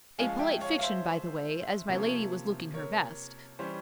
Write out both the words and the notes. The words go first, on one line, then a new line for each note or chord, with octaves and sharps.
A polite fiction by the way, as my lady was looking her best.
F3 G#3 C#4 F5 G#5
E5 G5
C#5 F5
F5
C5 E5
C3 F3 A#3 C#4
A#4 C#5
E3 G3 C#4 C5